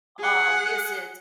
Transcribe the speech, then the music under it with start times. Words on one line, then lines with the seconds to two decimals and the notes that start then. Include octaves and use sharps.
Um, is it
0.19 G#4 F#5